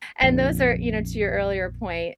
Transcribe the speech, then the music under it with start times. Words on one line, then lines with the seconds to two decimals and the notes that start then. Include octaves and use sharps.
And those are, you know, to your earlier point,
0.22 A#1 F2 D3